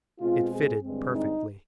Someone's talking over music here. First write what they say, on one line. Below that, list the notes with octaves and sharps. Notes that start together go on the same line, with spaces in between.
It fitted perfectly.
B2 G#3 C4 F4
G#4
G2 D3 G#3 C4
D#4